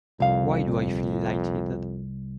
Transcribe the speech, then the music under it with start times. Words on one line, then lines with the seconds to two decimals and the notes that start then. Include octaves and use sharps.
Why do I feel light-headed?
0.20 C2 F2 F5